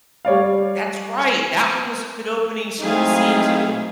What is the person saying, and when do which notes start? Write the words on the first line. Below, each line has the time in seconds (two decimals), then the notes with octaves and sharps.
That's right. That one was a good opening scr scene, too.
0.25 G3 C#5 D5 F5
2.80 F#3 G#3 A3 C4 D#4 E4 G#4 F5